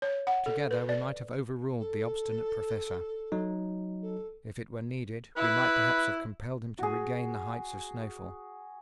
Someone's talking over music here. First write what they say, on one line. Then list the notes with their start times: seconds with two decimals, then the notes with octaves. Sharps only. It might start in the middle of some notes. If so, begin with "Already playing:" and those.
Together we might have over-ruled the obstinate Professor; if it were needed, we might perhaps have compelled him to regain the heights of Snaefell.
0.02 C#5
0.27 F#5
0.46 A4
0.71 B4
0.89 D5
1.78 A4
3.32 F#3 D#4
4.01 A4
5.36 E4 B4
6.79 F#4 G#4